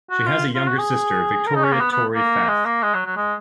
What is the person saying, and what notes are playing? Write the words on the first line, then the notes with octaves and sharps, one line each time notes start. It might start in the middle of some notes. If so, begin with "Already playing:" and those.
She has a younger sister, Victoria "Tori" Fath.
F#4
F4
F4
F#4
G#4
A#4
D#4
C#4
A#3
B3
B3
A#3
G#3
A#3
G#3
F#3
F#3
G#3